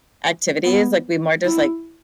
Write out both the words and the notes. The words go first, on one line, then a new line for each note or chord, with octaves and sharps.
activities, like, we more just, like,
B3
E4